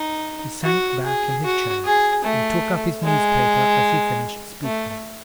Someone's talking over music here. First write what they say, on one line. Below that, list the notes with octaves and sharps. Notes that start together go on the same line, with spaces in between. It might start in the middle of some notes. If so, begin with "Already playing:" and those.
He sank back in his chair, and took up his newspaper as he finished speaking.
Already playing: D#4
F#4
G#4
F#4
G#4
A3
G#3
A3